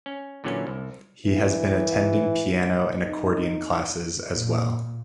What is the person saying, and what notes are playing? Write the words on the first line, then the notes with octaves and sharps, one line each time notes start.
He has been attending piano and accordion classes as well.
C#4
A#2 D3 E3 F#3 C#4
C2
E3
D#4
A#2